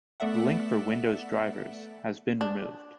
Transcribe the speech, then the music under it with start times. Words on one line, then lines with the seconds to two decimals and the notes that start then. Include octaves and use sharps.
The link for Windows drivers has been removed.
0.20 A3 B3 A4 D5 E5 F#5
2.41 D4